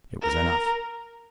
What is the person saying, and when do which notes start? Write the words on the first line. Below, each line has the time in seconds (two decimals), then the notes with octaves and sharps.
It was enough.
0.22 A#4